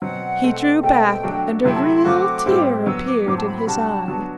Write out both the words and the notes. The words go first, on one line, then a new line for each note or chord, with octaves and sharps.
He drew back and a real tear appeared in his eye.
B2 F#3 C4 F#5
B2 A3 C4
B2 A3 C4 G5
F#3 A3 D4 F#4
C3 F#3 A3 E4 G5
A5
B5
C6
F#3 A3 C4 F#4 D6
A2 G3 C4 E4
F#3 B3 F#4 E6
D6
A2 F#3 C4 D6
A5
B5
B5
C3 G3 D4 F#4 A5
F#3 B3 D4 F#4